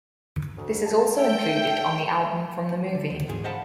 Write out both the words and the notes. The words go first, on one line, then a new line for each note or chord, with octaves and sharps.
This is also included on the album from the movie.
D2
F#2 G#5 A5
A4 E5 G5
D3
D#2
E2 G#2 G#4
C5 D#5 F5 F#5 A5 B5